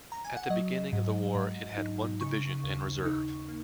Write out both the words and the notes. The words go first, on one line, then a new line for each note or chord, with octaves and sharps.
At the beginning of the war it had one division in reserve.
A#5
G#5
F#5
F#3 D#5
G#2
G#2
D#4
C#3 C#6
D#2
D#4
A#3